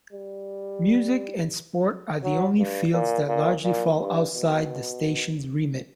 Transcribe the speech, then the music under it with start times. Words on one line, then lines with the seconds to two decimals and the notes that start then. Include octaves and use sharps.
Music and sport are the only fields that largely fall outside the station's remit.
0.12 G3
2.23 F#3
2.58 G2
2.93 A#2
3.28 A#2
3.63 A#2
3.99 G2
4.34 B2